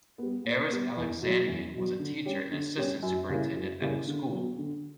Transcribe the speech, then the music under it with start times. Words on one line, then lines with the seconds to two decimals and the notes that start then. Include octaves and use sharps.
Aris Alexanian was a teacher and assistant superintendent at the school.
0.18 G3 B3
0.44 A#2
0.70 G3 B3
0.97 E2
1.22 B2 F#3
1.48 E2
1.75 B2 F#3
2.00 D3
2.26 G3 C#4 G4
2.51 D3
2.78 G3 C#4 G4
3.03 F#2
3.29 C#3 G3 A#3 E4
3.55 F#2
3.80 C#3 G3 A#3 E4
4.07 D3
4.33 F#3 B3
4.58 D3